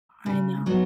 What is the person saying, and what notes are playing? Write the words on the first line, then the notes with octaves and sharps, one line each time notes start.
I know.
C#3
F#3 B3 D#4